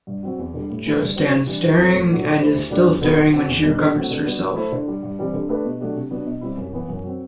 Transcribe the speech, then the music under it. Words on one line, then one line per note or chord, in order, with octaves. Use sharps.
Jo stands staring, and is still staring when she recovers herself.
G2
F#3 C4 F#4
E2
D3 G3
A2
E3 A3 E4 G4
G2
F#3 C4 F#4 C5
C3
E3 G3 D4 G4
F#3
C4 E4 A4 C5
A2
F#3 A3 D4
D3
A3 E4 G4 C5
D2
D3 G3 D4
E2
D3 F#3 B3 F#4
F#3
C4 F#4
E2
B2 G3 D4
D3
F#3 A3 C4 F#4
D3
G3 B3 D4 F#4
F#3
A3 E4 A4 C5
D3
G3 D4
G2
E3 G3 C4 G4
D3
A3 D4 G4 B4
B2
F#3 A3 D4 G4
C3
F#3 B3 D4
B2
G3 C4 E4
F#2
E3 B3
F#2
F#3 C4